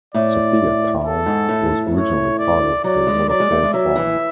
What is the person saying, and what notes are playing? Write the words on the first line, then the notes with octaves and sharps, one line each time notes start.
Sophiatown was originally part of the Waterfall farm.
A2 D5
A4
G#2
A2
C#5
D5
F#3 D5
G#3
F#3 D5
G#3
A3
G#3
F#3 E5
E3